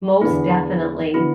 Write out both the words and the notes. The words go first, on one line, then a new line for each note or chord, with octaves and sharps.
Most definitely.
E2 D3 B3 E4
D3 B3 E4 F#4